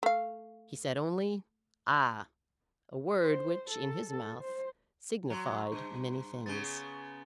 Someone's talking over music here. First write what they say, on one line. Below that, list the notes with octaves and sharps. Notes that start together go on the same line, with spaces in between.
He said only, "Ah!"--a word which, in his mouth, signified many things.
A3 F5
C5
A4
A4
C5
F#3 A#5 C6
G2
C#3 B3 A6 G7